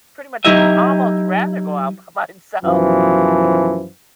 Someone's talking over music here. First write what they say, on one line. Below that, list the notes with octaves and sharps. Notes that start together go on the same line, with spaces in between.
pretty much almost rather go out by myself.
F#3 D#4 E4 G4 D#5 E5
F#2 B2 E3 F3